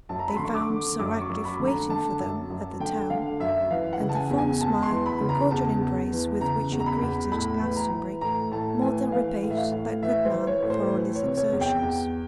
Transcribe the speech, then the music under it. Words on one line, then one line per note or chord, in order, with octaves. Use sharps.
They found Sir Ratcliffe waiting for them at the town, and the fond smile and cordial embrace with which he greeted Glastonbury more than repaid that good man for all his exertions.
F#2 A5
A#5
B5
D3 C6
C#6
D6
D3
F#2 D6
C#6
F#2
B5
D3
A#5
D3 A5
F#2
F#2
D3 G5
D3 F5
F#2 E5
E3 F5
F#5
C#3
A5
G#5
E2
G#5
E2 A5
C6
E3
B5
C#3
A#5
E2 A5
E2
E3
C#3 A#5
E2
A#5
B5
E2
A2 B5
E3
A#5
E3
A2 A#5
A2 A5
E3 G#5
E3 F5
A2
E5
F5
A2
E3 E5
C5
E3
C#5
A2
C5
E3 B4
C#5
C3
C#5
E2
G5
E2